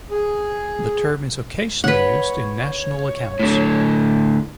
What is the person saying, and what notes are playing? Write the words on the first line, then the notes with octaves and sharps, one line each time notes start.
The term is occasionally used in national accounts.
G#4
B4 C#5 F#5
A2 D3